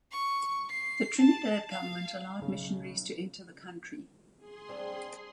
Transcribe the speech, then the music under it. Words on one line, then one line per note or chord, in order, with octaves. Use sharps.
The Trinidad government allowed missionaries to enter the country.
C#6
C7
A5
F5
B1 C#3
G#4 C6
G3 C4 D4